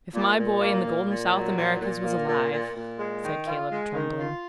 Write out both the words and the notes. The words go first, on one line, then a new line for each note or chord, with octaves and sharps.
"If my boy in the Golden South Americas was alive----!" said Caleb, trembling.
A#2
A#2
A#3
A#2
A#2
F#3
A#2
A#2
A#3
A#2
A#2
A#2
G#3
D#3
F4
G#3
D#3
F4